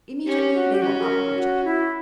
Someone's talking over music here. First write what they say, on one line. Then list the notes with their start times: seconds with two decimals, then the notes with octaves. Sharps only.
Immediately they were uprooted.
0.26 C#4 G4
0.54 F#4
0.74 G4
0.81 C#4 F#4
1.01 A#4
1.36 F#4
1.65 E4